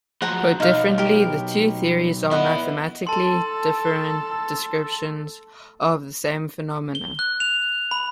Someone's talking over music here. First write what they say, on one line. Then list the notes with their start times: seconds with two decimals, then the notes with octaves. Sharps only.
Put differently, the two theories are mathematically different descriptions of the same phenomena.
0.22 F3 F#3 F#5 A#5
0.60 B1 D#4 F5
0.98 G4 A#4
2.31 B3 E4 D#5 F#5
3.07 A4 A5 C6
6.95 G7
7.19 F#6
7.40 F7
7.91 B5